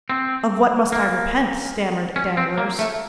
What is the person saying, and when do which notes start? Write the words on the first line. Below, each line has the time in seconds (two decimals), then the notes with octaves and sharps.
"Of what must I repent?" stammered Danglars.
0.10 C4
0.92 A#3
2.16 C#4
2.37 C4
2.58 A#3
2.79 A3